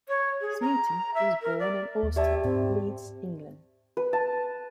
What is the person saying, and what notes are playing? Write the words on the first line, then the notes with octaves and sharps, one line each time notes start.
Smeaton was born in Austhorpe, Leeds, England.
C#5
G#4
A#5
E5
A#4
D5
D#2
G4 D5 E5 A5
G#2 C4
B4
A5